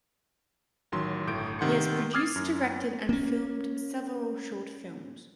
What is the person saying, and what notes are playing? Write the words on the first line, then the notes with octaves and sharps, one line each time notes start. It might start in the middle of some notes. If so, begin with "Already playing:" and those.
He has produced, directed, and filmed several short films.
A1 D#3 F#3 C6
G1 A2 G6 D7
C3 D#3 F#5 C6 C#7
D6 D#6 F6 G#6 A6 C7
F#2
A#3 C#4